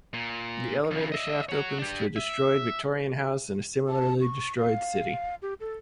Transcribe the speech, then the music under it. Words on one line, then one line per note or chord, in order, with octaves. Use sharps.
The elevator shaft opens to a destroyed Victorian house in a similarly destroyed city.
A#2
F2 C#3
D#5 E5
C#5 F#5
D4 G4
E5
A5
C#6
F5
G4
A4